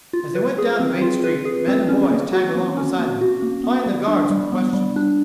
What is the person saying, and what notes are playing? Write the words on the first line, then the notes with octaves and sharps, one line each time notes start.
As they went down the main street, men and boys tagged along beside them, plying the guards with questions.
F4
B4
G#4
C4
F4
B4
G#4
C4
C#4
A#3
F#4
A#3
C#4
A#3
F#4
A#3
B3
G3
D4
G3
B3
G3
D4